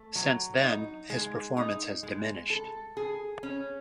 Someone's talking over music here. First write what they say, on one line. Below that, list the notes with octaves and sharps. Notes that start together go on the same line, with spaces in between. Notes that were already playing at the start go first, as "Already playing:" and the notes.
Since then, his performance has diminished.
Already playing: A3
F#3
D#4
G#3
D#4
G#3
A4
G#4
C#4